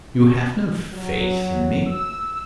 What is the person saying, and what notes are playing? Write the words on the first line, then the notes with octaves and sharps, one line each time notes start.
"You have no faith in me?"
F#3
E6